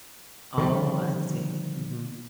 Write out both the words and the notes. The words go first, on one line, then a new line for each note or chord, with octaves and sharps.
Oh, I see. Mhm.
D3 D#3 F3 G3